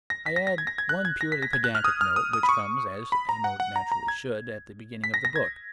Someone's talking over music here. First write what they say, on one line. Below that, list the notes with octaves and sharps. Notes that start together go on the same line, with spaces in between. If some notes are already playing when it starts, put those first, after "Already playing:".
I add one purely pedantic note which comes, as a note naturally should, at the beginning of the book.
A#6
B6
A#6
A#6
G#6
A#6
G#6
F#6
G#6
A#6
B6
A#6
G#6
F#6
F6
D#6
F6
D#6
D#6
B5
C#6
B5
A#5
F#5
F#5
A#5
A#5
G#6
B6
A#6
A#6
G#6